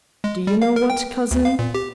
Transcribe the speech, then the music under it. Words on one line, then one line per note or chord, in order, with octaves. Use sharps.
Do you know what, cousin?
G#3
G3
F5
A#4
G5
D2
F5
A#2
G4